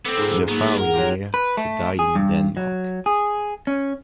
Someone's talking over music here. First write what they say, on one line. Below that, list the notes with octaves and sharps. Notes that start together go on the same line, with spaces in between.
In the following year he died in Denmark.
B3 C4 A4 D6 E6
G#2 F4
F#3 A#3 B3 D#4
G#4 A#4 F#5
F#3 F4 G4
B4
A3
G#4
G2
F#3
G#4
C#4